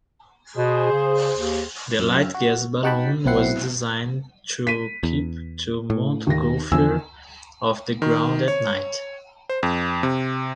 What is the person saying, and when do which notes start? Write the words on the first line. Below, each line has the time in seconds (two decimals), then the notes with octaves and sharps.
The light-gas balloon was designed to keep the Montgolfiere off the ground at night.
0.57 B2 G#4 C5
0.91 C#3
1.37 D#2
1.99 F#2 E6 F6
2.34 F#4
2.83 D#4 F#4 F#5 G5 A5 B5
3.25 B1 B2 C4 E4 F#5 C7
4.67 B6 D#7
5.03 E2
5.90 A2
6.27 D#2 D#3 A#6
6.72 E2 D3 F3 G#5 E6
8.02 D#3
8.48 C#5
9.50 C5
9.63 F2
10.03 C3